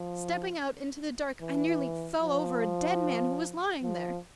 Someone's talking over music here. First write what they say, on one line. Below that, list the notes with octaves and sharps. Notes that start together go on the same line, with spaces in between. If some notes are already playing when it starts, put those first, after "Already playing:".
Stepping out into the dark, I nearly fell over a dead man, who was lying there.
Already playing: F3
E3
F3
F3